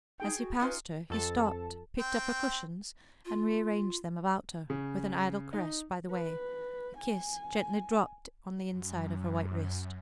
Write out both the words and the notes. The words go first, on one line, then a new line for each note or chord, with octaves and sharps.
As he passed her, he stopped, picked up her cushions, and re-arranged them about her, with an idle caress by the way, a kiss gently dropped on the inside of her white wrist.
D#4 G#4 G5
F#4
C#4 D#4 F4 B4
F2 A4 A5
C4 G5
F4
C#3
D#4
B4
G#5
F#2